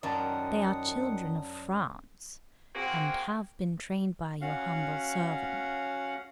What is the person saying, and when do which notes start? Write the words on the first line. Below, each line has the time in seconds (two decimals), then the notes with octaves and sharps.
They are children of France, and have been trained by your humble servant.
0.03 F#2 D#3 A#4 D5 F#5 A5 D#6
2.75 A#3 C4 F#4 G#4 A#4
4.41 C#4 F#4 F5 F#5